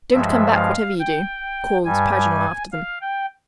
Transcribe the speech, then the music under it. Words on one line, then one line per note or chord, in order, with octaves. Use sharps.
"Don't come back whatever you do," called Paganel after them.
G2 F3 G#3 E5
F5
G5
G2 G3 G#5
F5
G5